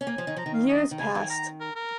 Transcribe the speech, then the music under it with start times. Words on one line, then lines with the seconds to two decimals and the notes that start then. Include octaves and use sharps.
Years passed.
0.01 C#4
0.07 A#3 G#5
0.18 F3
0.27 D#3
0.37 F3 A#5
0.46 D#3
0.54 F5
0.69 D#5
0.91 D#3
0.99 C#3 G#5
1.14 D#3 G#5
1.30 A#5
1.61 A#4
1.76 A#4